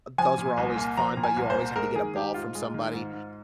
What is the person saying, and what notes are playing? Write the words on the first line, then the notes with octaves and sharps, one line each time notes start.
Those were always fun, but you always had to get a ball from somebody,
F3 G#5
A#2
C2
A#3
F3 A#5
A#2
G#5
C2
C5
A#3
G#3 A#4
D#3 G#4
G#2 G4
G#2 F4
G#3
D#3
G#2
G#2